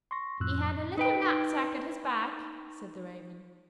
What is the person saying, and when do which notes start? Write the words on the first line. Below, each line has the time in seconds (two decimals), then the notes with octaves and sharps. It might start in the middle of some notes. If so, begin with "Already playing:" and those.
"He had a little knapsack at his back," said the Raven.
0.11 C6 C#6 A#6
0.40 F2 A2 F3 E6 F#6
0.97 D#4 B4 G5